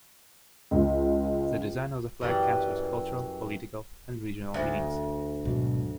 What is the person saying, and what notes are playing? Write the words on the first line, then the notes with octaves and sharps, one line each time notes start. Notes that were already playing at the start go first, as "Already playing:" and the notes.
The design of the flag comes with cultural, political, and regional meanings.
C#2
F#2 E3 G3
D2
G#2 B2 F#3